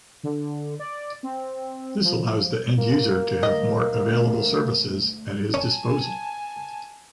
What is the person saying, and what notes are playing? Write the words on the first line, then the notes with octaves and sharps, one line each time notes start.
This allows the end user to have more available services at his disposal.
D3
D5
C4
F3
A#3
D2 D#5
C#4 G#5 A5